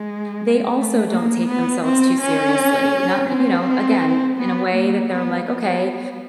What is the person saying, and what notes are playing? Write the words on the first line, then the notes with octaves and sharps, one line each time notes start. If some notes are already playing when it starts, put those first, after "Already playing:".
they also don't take themselves too seriously, not you know, again, in a way that they're like, "Okay."
Already playing: G#3
A3
A#3
B3
C4
C#4
C4
B3
A#3
B3
B3